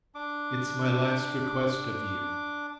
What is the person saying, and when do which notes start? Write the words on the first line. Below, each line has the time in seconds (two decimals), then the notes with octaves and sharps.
It's my last request of you.
0.15 D4 D6